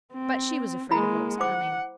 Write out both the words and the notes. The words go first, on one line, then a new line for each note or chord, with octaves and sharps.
But she was afraid of what was coming.
C4
G#3 A#3 E4 A#5 B5
C5 F#5 D6